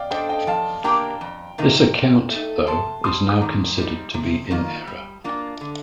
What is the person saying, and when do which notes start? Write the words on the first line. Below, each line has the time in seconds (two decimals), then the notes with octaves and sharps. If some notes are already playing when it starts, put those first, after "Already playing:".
This account, though, is now considered to be in error.
Already playing: D5 D#5 F5 G5
0.11 D4 A4 C5 D#5 G5
0.29 D#5 G5
0.47 F3 F5 A5
0.84 A#3 D4 G4 A#4 G5 A#5
1.21 F2
1.58 C3 D#3 A#3 D#4
1.95 A#2
2.30 A3 D#4
2.67 C3 A5 C6
3.04 G3 C4 C6 D#6
3.29 D#6
3.41 D#3 A#5 D6
3.78 G3 C4 D#4
4.14 C3
4.51 D#3 A#3 F4
4.87 G3
5.24 A#3 D4 F4
5.61 D3